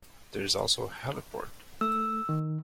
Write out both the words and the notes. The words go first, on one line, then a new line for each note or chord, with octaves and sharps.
There is also a heliport.
A3 E6
D#3